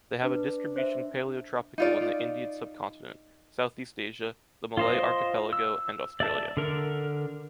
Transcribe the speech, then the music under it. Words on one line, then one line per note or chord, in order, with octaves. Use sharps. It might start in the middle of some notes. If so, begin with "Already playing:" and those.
They have a distribution paleotropical in the Indian sub-continent, Southeast Asia, the Malay Archipelago and Australia.
D4 B4
C5 E5
D#4 F4 D5
F4 C5 D#5
E6
D5 E5 A5
D3 A#4